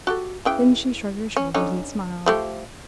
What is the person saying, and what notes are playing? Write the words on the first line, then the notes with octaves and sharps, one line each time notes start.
Then she shrugged her shoulders and smiled.
F#4 G4 A4
C#3 E3 G5
C#4
D3 C#4 D#4
F3 A3 G4